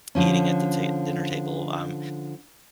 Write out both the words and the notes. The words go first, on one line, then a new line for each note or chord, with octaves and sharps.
eating at the ta dinner table. Um,
D3 F3 C#4